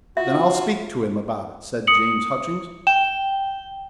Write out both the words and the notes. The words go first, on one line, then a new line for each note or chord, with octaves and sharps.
"Then I'll speak to him about it," said James Hutchings.
F4 F#4 E5
D#6 C#7 F#7
G5 E7